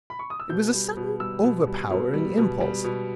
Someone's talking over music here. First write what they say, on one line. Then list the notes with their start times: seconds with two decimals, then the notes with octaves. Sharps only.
It was a sudden overpowering impulse.
0.10 B5
0.19 C#6
0.30 D#6
0.40 E6
0.50 B2 G6
0.74 G3
0.97 B2
1.20 G3 E6
1.44 B2
1.67 G3
1.91 B2
2.13 G3
2.37 B2
2.61 G3
2.84 B2